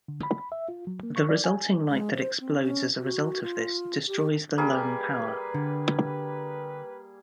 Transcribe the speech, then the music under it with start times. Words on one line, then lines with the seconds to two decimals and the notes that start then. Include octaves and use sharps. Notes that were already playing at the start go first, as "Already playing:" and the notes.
The resulting light that explodes as a result of this destroys the Lone Power.
0.08 D3
0.23 B5
0.52 E5
0.69 F4
0.87 F#3
1.03 A#3
1.16 C#6
1.29 D5
1.44 G#5
1.89 G#3
2.15 C5
2.40 C4
2.63 C#4
2.98 F#4
3.43 F4
4.07 G4
4.58 G3 A#3 G4 G#4 B4
5.54 D3